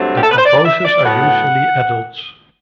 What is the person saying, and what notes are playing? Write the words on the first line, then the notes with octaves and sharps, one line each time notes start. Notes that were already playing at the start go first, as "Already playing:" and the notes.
The composers are usually adults.
Already playing: G2 F#3 A3 C4
G4
A4
B4
C5
D5
E5
D5
A2 F#3 B3 F#5